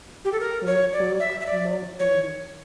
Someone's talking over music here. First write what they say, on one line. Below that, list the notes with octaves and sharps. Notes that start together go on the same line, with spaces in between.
They will brook no changes.
G4
A4
A#4
C#5
D5
E5
E5
D5
C#5